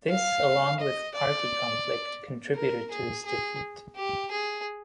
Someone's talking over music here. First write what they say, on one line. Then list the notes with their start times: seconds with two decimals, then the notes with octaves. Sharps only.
This, along with party conflict, contributed to his defeat.
0.10 F5
0.80 D#5
1.15 D5
2.56 A#4
2.91 G#4
3.26 G#4
3.96 G4
4.31 G#4